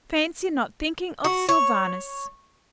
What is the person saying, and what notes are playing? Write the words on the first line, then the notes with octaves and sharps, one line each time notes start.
"Fancy not thinking of Sylvanus!"
F#4
C#5